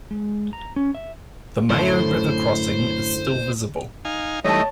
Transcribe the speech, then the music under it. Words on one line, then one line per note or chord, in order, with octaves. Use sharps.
The Mayo River crossing is still visible.
G#3
A#5
C#4
E5
F#2 A2 D3 A3 C5
D#4 F5 G#5
E3 G3 A3 D#4 C#5 D#5 A5